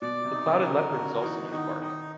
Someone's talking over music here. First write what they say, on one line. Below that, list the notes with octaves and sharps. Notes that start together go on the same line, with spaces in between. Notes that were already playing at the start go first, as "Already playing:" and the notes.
The clouded leopard is also in the park.
B2 D5
C3
D#4
C#3
A#4
D3
D3 F#4
E3 D#4
D#3 D#4
D#3 D#4